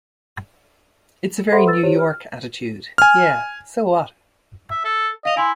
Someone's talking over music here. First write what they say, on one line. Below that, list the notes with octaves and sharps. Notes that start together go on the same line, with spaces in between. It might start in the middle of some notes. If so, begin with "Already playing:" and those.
It's a very New York attitude: 'Yeah, so what?
A4 C5 E5 F#5 B5 C6
B4 E6 A6
E4 F4 G4 C5 C#5
F6
G#5 F6
E5
A4
D#5 F5 F7
E4 G#5 C6